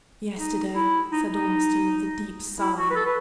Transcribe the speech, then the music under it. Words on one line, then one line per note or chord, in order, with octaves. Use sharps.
"Yesterday," said Ormiston, with a deep sigh.
D#4
E4
D#4
D#4
E4
F#4
B4
A4
B4